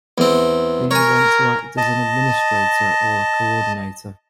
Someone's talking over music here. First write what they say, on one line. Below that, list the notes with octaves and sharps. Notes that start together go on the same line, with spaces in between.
Do you want to act as administrator or coordinator?
E2 C4
A#4 C#5 G#5
D#5 A5